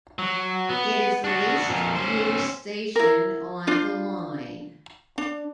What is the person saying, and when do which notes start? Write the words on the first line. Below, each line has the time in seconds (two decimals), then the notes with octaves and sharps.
It is the least used station on the line.
0.19 F#3
0.69 B3
1.24 D4 F#4
1.70 F2 A#2
1.95 C#4 C5
2.96 E4 A#4
3.67 D4 F4 C5
5.18 D4